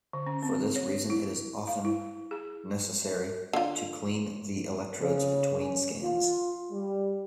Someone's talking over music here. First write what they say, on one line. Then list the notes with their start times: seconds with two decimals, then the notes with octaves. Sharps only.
For this reason it is often necessary to clean the electrodes between scans.
0.13 D3
0.27 C#4
0.43 C4
0.76 C#5
1.10 E4
1.67 F5
1.85 E4
2.31 G#4
3.53 D3 F4
5.00 C#3
5.61 C#4
6.02 F4
6.72 G3